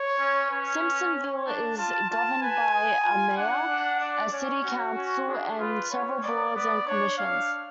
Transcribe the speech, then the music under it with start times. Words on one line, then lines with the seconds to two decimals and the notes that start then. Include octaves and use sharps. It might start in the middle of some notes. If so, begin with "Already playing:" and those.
Simpsonville is governed by a mayor, a city council, and several boards and commissions.
Already playing: C#5
0.19 C#4
0.51 C#4 B4
1.14 C#5
1.46 D4 A5
1.78 F4 A5
2.09 F4 A5
2.42 B4 G#5
2.73 G#4
3.05 F4
3.37 D4 F#5
3.69 D4
4.00 D5
4.32 C#4 C#5
4.64 F#4
4.96 C#4
5.28 D4 G#4
5.59 F4 B4
5.91 C#4 C#5
6.23 B3 D5
6.55 B3 D5
6.87 D4 C#5
7.18 D4 F5